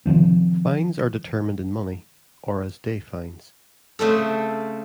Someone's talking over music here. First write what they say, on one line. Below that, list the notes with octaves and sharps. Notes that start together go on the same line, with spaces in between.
Fines are determined in money, or as day fines.
C3 D#3 F3 C4
C#3 A3 C4 A4